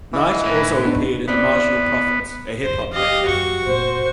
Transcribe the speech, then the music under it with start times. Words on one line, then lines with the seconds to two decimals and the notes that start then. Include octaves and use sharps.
Knight also appeared in The Marginal Prophets, a hip-hop band.
0.13 E3 D#5
0.46 A2 B4
0.86 B3 D4 D#4
1.28 E3 B3 C4 D5
2.63 F2 C#3 C5
2.93 G4 D#5 F5
3.28 F#2 F#4 C#6
3.67 F1 A#2 C5